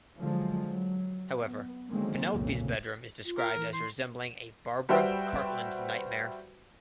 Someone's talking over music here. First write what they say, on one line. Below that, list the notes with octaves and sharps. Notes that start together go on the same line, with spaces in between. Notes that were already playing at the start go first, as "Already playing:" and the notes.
However, Penelope's bedroom is described as resembling a "Barbara Cartland nightmare".
D3 F3 F#3 G#3
F#3
B3
D3 D#3 F#3 G#3 A#3 C4
F1 B1 F2 A#2 C#3
F4
A#4
E3
C6
G3 F#4 B4 C5 E5 G5